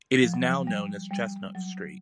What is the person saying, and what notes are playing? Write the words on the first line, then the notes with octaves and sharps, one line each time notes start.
It is now known as Chestnut Street.
F3
F#3
F3
G3
G3
F#3